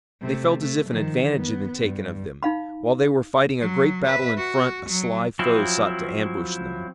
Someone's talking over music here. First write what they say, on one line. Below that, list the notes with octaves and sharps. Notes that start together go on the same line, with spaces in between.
They felt as if an advantage had been taken of them. While they were fighting a great battle in front a sly foe sought to ambush them.
C3 A3
A3
D#3 F3
B3
G2
D#4 F5 B5
F#3
B4 E5
F#4
F#3
F3 F#3 C4 E4